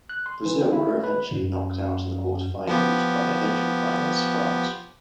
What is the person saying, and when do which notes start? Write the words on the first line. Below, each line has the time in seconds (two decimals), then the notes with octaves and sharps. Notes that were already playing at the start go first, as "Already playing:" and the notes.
Brazil were eventually knocked out in the quarter-finals by eventual finalists France.
0.09 F#6
0.26 C6
0.45 E3
0.61 C4
0.73 E4
0.88 A3
1.04 B4
1.31 F#2
2.67 F3 B3 G4